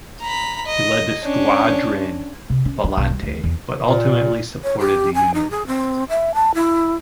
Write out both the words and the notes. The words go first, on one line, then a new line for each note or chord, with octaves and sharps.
He led the Squadrone Volante, but ultimately supported the Union.
A#5 B5
D#5
C#4 D4
C3
C#4
D4
B1
G3
D2
E2
A#2
C#5
G4
G#5
D#4
G#4
C4
E5
A5
E4